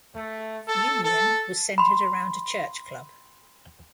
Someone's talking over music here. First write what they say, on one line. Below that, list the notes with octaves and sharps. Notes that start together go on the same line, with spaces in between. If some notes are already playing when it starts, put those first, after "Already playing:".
Union was centred around a church club.
A3
A4
A4
B5 C6